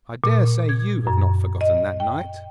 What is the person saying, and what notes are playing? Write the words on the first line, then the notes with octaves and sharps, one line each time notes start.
I dare say you have not forgotten that night!
A#2
G#6
F#2
D#5
G5